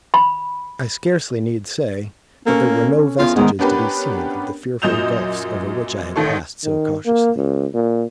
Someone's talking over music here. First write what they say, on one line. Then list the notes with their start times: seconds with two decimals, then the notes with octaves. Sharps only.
I scarcely need say that there were no vestiges to be seen of the fearful gulfs over which I had passed so cautiously.
0.14 B5
2.46 A#3 C#4 A4
3.19 E2 F4
3.36 G#2 D#3 G#3 B3
3.59 B3 C#4 D4 G4 A#4 B4
4.82 F#2 A#2 D#5 G6 E7 F7
6.16 A1 D#3 A4 C#5
6.64 D#3
7.06 A#3
7.36 C#2
7.74 A#2